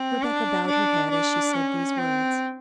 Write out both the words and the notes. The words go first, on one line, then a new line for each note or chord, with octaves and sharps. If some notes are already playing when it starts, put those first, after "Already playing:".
Rebecca bowed her head as she said these words.
Already playing: C4
D4
D4
D4
C#4
C4